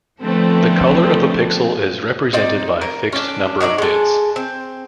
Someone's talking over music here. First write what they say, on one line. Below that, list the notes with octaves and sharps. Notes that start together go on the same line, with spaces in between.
The color of a pixel is represented by a fixed number of bits.
D3 F3 A3 B3 C4 A4
C4 D#4 D5
A#4
C#4 D4
F#3 D#4 C#5 D5
G#3 A4
C4